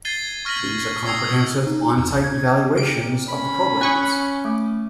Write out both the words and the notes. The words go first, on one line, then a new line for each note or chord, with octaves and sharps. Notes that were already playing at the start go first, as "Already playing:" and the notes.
These are comprehensive on-site evaluations of the programs.
G#6 A6 C7 D#7 G7
C#6 F6 A#6 B6 F#7
G#6
D#6 E6 G#6 C7 G7
D#4
E2
A1
G#6
C#3 C4 A#4 D7
C#4 B5
G#5 C#6 D#6 F#6
A3 D6